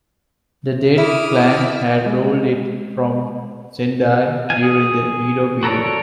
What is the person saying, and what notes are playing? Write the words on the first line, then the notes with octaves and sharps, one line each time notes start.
The Date clan had ruled it from Sendai during the Edo period.
E4 D6 D#6 F6
G#3
F4 G#5
G#4
F#4 A4 A#4 C#5 D5